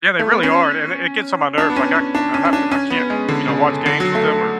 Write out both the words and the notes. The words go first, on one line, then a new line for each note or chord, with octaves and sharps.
Yeah, they really are, and it it gets on my nerves, like, I I have to I can't, you know, watch games with them or
A3
B3
C#4
D4
B3
C#4
C#4
D4
C#4
C#4
D4
C#4
B3
G#3
D3
C#3
D3
F#3
A3